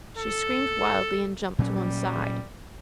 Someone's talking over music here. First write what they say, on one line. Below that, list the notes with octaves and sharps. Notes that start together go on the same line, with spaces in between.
She screamed wildly and jumped to one side.
A4
A#2 F#3 G3 C#4